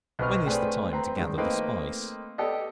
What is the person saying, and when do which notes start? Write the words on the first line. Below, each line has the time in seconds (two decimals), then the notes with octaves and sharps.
When is the time to gather the spice?
0.19 B1 C4 B4 D#5 C#6 F6
0.46 A3 C4 D4 G#4 B4
0.93 C4 B4 A#5
1.16 G2 D#3 G#3
1.37 A3 A#3 C4 D#4 B4
2.38 B3 G4 A4 D5 D#5